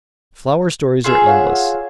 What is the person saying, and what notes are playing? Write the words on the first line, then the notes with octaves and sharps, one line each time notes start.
Flower stories are endless.
F4 G#4 E5
C#5 F5 F#5